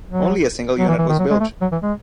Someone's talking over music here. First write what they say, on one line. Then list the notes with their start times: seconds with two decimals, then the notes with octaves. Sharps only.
Only a single unit was built.
0.09 F#3
0.79 F#3
0.89 E3
0.99 E3
1.09 D#3
1.19 F#3
1.31 G#3
1.41 A3
1.62 F#3
1.72 E3
1.83 G#3